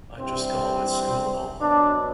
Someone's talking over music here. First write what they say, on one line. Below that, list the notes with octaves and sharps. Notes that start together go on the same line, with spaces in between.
I just got on with school and all that.
G2 E3 G3 C4
B2 F#3 D4